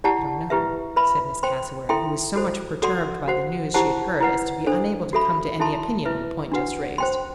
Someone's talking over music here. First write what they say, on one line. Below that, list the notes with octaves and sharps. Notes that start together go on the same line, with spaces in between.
"I don't know," said Miss Cassewary, who was so much perturbed by the news she had heard as to be unable to come to any opinion on the point just raised.
E4 G4 D5 F#5 A5
E4 G4 B4 E5
B4 E5 B5
C5 G5 C6
E4 A4 E5 G5 C6
F#4 A4 C5
F#4 A4 D5 F#5 C6
F#4 C5 F#5
E4 G4 C5 F#5 A5
E4 B4 F#5
D4 A4 C5
F#4 A4 E5 B5
E4 A4 E5 A5 C6
E4 B4 E5
D4 F#4 B4 F#5
C5 G5 C6